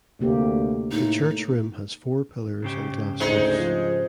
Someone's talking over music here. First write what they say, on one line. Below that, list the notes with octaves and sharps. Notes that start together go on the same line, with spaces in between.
The church room has four pillars and glass roofs.
D2 C3 A#3 G4
A2 D#4
G#2 C#3 G4
D2 G#3 D#4 C5
F3 C5